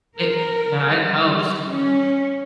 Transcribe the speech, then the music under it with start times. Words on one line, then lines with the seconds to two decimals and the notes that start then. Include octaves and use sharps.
It yeah, it helps i
0.16 A#4
0.88 G3
1.68 C#4